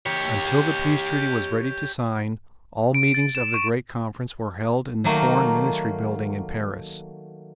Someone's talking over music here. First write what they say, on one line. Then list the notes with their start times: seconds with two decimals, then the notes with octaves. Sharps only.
Until the Peace Treaty was ready to sign all meetings of the great conference were held in the Foreign Ministry building in Paris.
0.06 G4 C#5
2.94 D7
3.14 A6
3.35 E7
3.54 C#6
5.04 D#3 F#3 A3 A#3